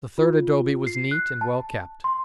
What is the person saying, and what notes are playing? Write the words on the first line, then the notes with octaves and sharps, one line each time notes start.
The third adobe was neat and well kept.
F4
C7
F#6
A5
C6